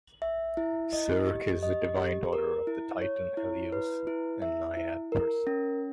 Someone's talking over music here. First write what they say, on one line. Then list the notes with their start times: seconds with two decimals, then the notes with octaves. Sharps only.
Circe is the divine daughter of the titan Helios and naiad Perse.
0.22 E5
0.57 E4
0.93 D#5
1.27 G4
1.63 D#5
1.97 G4
2.33 A#4
2.67 E4
3.02 C#5
3.37 E4
3.72 B4
4.07 E4
4.42 E5
4.77 E4
5.12 A#4
5.47 C#4